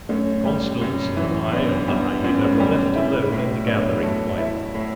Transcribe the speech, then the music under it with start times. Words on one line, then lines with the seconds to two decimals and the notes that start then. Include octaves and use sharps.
Constance and I and the hyaena were left alone in the gathering twilight.
0.09 F#2 A3 C#4
0.45 G3
0.81 F#2
1.17 E3
1.52 F#2 B3 D4
1.88 G3 B3 D4
2.24 F#2 C#4
2.34 B3
2.45 A3 C#4
2.60 G3
2.96 E4
3.32 A2
3.66 F#3 B3 D4
4.03 A3
4.38 E4
4.74 A2